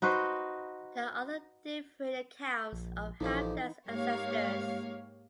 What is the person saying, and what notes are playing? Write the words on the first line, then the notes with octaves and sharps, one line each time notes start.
There are other differing accounts of Halfdan's ancestors.
D#4 F#4 B4 C5
A#1
A#1 D3 E3 F3 D#4 G4
G#2 A#3 G4 C#5 F5